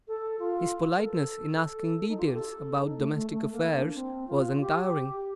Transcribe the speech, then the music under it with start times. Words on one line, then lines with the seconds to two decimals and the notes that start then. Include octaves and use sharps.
His politeness in asking details about domestic affairs was untiring.
0.08 A4
0.39 F4
0.98 A#4
1.04 A4
2.01 A4
2.09 D#4
2.18 F4
2.25 G4
2.34 A4
2.81 D#4
2.97 A3
3.14 A3
3.30 A3
3.52 A#3
3.74 D4
3.94 C4
4.28 F4
4.53 F4
4.60 G4
4.82 G4
5.02 G4